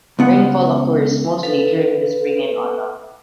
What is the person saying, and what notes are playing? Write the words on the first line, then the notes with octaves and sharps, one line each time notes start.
Rainfall occurs mostly during the spring and autumn.
C#2 B3 F#5
A4 B4 F5